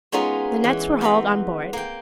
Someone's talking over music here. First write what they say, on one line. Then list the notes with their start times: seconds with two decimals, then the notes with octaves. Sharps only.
The nets were hauled on board.
0.12 G#3 B3 C#4 D#4 F4 A#4
0.64 E3
1.01 B3 C4 B4 A#5 B5
1.73 A#3 G5